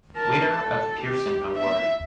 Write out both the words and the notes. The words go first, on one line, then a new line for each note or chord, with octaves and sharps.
Winner of Pearson award.
A#4 A5
A4
G4
E5